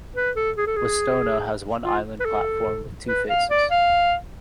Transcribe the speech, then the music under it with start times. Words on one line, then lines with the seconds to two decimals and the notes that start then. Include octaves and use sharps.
Westona has one island platform with two faces.
0.16 B4
0.36 A4
0.57 G#4
0.67 A4
0.76 G#4
1.83 F4
2.20 B4
2.25 A4
3.08 B4
3.29 F5
3.50 D5
3.71 F5